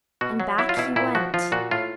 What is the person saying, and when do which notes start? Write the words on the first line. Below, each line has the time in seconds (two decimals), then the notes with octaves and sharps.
And back he went.
0.21 B2 F#4
0.40 F#3
0.58 F#3 E4
0.69 F4
0.77 B2 E4
0.96 A#2 E4
1.15 F3 F#4
1.34 F3 F4
1.52 A#2 F#4
1.71 A2 F4